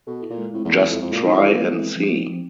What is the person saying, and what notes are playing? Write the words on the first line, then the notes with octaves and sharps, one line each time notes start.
Just try and see.
B2 A4
E4
A#2
G#3
A2 C4
E2
A4
E2
F2 E4
F2 G#3
A#2
C4
D#3
E3 A4
F3 E4
G#3
E3
C4
F3
C4
F3